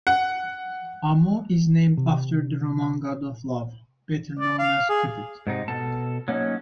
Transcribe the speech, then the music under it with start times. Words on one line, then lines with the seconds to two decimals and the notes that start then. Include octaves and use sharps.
Amor is named after the Roman god of love, better known as Cupid.
0.07 F#5
1.98 C3
4.39 D5
4.59 F5
4.89 G#4
5.47 G#2 C3 D#4
5.68 B2 A4 A5
6.28 F#3 A#3 C#4 D#4